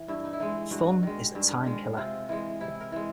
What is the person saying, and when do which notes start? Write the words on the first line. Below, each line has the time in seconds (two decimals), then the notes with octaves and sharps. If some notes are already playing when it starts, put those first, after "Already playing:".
Fun is the time-killer.
Already playing: E3
0.08 G2 E4
0.25 D#4
0.33 E4
0.40 E3 G#3 D#4
0.71 G2 F#4
1.03 D#3 G#3
1.35 G2
1.66 D#3 G#3
1.97 C3 F4
2.29 E3 G#3
2.61 C3 E4
2.81 A#4
2.92 E3 G#3